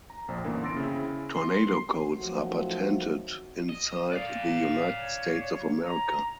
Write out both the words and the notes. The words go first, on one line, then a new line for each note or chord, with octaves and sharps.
Tornado codes are patented inside the United States of America.
A#5
A#1 F2 C4
F#2 D3 E3 A#3 B3
C6 E6 A6 A#6 D7
C#3 C4 E4
C6
D#3 F3 F#3 A3 C4 F#4
D#5
D5 F5
C#5
A#5